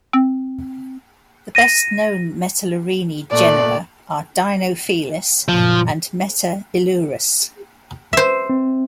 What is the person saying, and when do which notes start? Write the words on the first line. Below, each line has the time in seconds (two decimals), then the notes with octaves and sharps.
The best known Metalurini genera are "Dinofelis" and "Metailurus".
0.13 C4
1.55 A#6 D#7
3.31 A#2 A3 D5 F#6
5.48 F#1 A#2 F3
8.13 C5 E5
8.50 C4